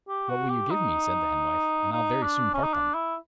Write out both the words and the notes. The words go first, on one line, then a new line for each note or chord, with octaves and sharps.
"What will you give me," said the Hen-Wife, "and I'll very soon part them?"
G4
F#4
G4
D#4
D#4
D4
C#4
D#4
D4
E4